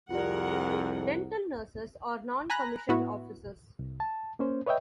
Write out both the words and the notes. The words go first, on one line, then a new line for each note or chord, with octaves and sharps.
Dental nurses are non-commissioned officers.
C2 F2 F4 G4 G#4 A#4 D5 F#5
G#5 A#5 B5 F#6 A#6
A2 B3 E4 F#4
C2
A5
A#3 C#4 C5
B4 C#5 D#5 E5 G5